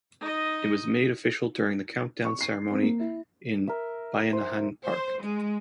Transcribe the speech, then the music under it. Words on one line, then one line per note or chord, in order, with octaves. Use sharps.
It was made official during the countdown ceremony in Bayanihan Park.
D#4 D#5
C#6
C7
C4
A#3
E4
A#4 E5
C5
C5
G#3